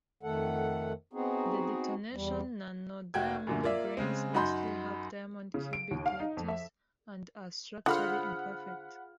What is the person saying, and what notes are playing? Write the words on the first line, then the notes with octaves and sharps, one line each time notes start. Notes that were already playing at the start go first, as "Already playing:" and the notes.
The detonation nanodiamond grains mostly have diamond cubic lattice and are structurally imperfect.
F2 D#3 A3 A4 F#5
B3 C4 D#4 F#4 G#4
E2 G3
F1 F#4 G5 G#6
F#2 A#2 D3
A#3 F4 D5 E5
C#3 G#3 C4
F#2 D#4 F#4 B5 C6 G6
C#3
D7
D#2
F5
D#4
F2
E5
D3 F4 G#4 C5 F#5 B5 F6